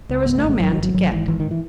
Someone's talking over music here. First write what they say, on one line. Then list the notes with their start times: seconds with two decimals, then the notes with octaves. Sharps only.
"There was no man to get."
0.09 C#2
0.26 G#1 B3
0.38 A3
0.43 G#1
0.49 G#3
0.60 G#1 F#3
0.72 D#3
0.77 G#1
0.83 F#3
0.94 G#1 F#3
1.11 G#2 E3
1.28 G#1 E3
1.40 D#3
1.51 E3